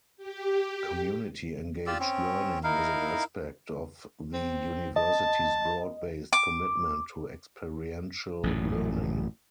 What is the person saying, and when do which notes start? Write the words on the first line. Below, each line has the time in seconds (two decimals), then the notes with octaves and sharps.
Community-engaged learning is an aspect of the university's broad-based commitment to experiential learning.
0.17 G4
1.87 F4 G4 D5 E6
2.00 C4 C#4
2.63 D#4 E4 A#4 F5
4.34 C4
4.96 D#5 A5
6.33 D6
8.43 A1 F#2 A#2